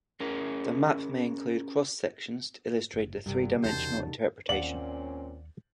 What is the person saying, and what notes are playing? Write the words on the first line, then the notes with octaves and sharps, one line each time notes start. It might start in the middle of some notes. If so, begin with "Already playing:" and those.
The map may include cross sections to illustrate the three-dimensional interpretation.
C#4 G#4 A#4
F#1
G1 C2 G2 C3 D7
D#1 E2 C#3 D#4 F#4 C5 A5
D#2 A#2 C4 C#4 D5 F5 F#5 F#7